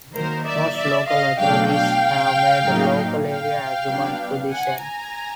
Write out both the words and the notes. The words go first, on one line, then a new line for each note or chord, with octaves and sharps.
Most local authorities have made a local area agreement to this end.
D#3 F#3 A#3 D#4 A#4 C5
D5 E5
D5 E5
D#5 F5
B2 F#3 A3 D4 F5 G5
F5 G5
A2 F#3 A#3 D#4
F5 G5
F#3 B3 D4
F#5 G#5
G#5 A#5